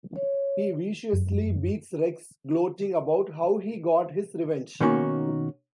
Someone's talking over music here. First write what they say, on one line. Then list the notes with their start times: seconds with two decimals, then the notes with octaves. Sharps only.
He viciously beats Rex, gloating about how he got his revenge.
0.16 C#5
1.13 F#2
4.80 B2 D#3 A#3 C#4 D#4 F#4